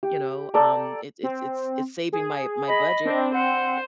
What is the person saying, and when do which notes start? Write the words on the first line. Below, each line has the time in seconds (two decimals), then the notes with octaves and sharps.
you know, um, it it's it's it's saving my my budget.
0.03 G4
0.54 A4 D5 A#5
1.23 C4
2.13 G#4
2.68 D#5 B5
3.05 C4 D4
3.34 C5 F#5